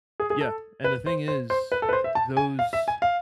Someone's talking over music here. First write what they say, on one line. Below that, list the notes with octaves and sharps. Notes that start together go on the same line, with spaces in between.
Yeah. And the thing is, those
G#4
G#4
A4
B4
C5
C5
C5
B4
A4
B4
C5
E5
A5
G#5
F5
E5
G#5
F5